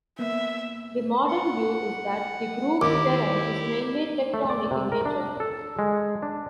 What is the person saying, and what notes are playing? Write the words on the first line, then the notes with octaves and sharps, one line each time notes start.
The modern view is that the grooved terrain is mainly tectonic in nature.
A#3 B3 E5
F#5
D#2 E4 G4 D6
A3
D5
C3
A#4
D4
A4
G#3
D4